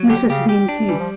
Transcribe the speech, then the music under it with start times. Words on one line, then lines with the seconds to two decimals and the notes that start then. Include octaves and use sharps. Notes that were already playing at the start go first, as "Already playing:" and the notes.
Mrs. Dean came.
Already playing: F#3
0.09 D3 G4
0.29 C#3 G4
0.49 G4
0.69 D4
0.89 E3 G3
0.99 F3